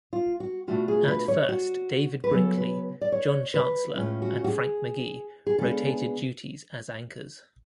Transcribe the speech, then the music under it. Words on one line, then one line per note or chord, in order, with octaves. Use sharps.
At first, David Brinkley, John Chancellor, and Frank McGee rotated duties as anchors.
F4
F#4
B2 A3 D4 F4 F#4
G#4
B4
C#5
F#4
B4
C#3 F#3 B3 A4
B4
D5
C#5
B4
A2 G#3 C#4 F4
F#4
F#4
G#4
G#4
C#3 G#3 B3 D4 A4